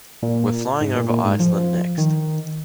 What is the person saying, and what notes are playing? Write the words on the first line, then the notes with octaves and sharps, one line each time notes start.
We're flying over Iceland next.
A#2
G#2
A#2
A#2
G#2
F3
D#3